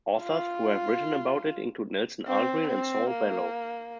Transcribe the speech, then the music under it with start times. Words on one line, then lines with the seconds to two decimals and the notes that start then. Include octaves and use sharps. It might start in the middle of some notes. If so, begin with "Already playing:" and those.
Authors who have written about it include Nelson Algren and Saul Bellow.
0.22 F4
2.27 C4
2.68 C4
3.09 A#3